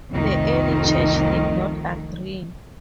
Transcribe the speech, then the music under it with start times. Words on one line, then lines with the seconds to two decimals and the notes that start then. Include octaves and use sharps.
The early Church did not agree.
0.10 C2 F2 D#3 A3